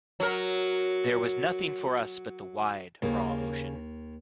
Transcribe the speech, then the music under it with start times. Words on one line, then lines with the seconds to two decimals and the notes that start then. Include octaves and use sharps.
There was nothing for us but the wide raw ocean.
0.20 F#3 A#4
3.02 D#2 C#3 A#3